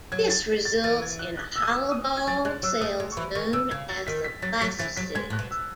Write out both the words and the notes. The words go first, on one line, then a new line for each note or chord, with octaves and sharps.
This results in a hollow ball of cells known as the blastocyst.
F#3 G#6
A6
A6
E3 A6
G#6
F#6
F#6
E6
D#6
E6
D#6
G#6
F#3 A6
G#3 F#6
F#3 E6
A3 D#6
G#3
C#6
E3 B5
D#3 C#6
C#3 E6
C#3 G#6
A6
D#3 B6
B6
F#3 A6
F#3 B6
E3 A6
F#3 B6
G#3 G#6
A2 F#6
B2
E6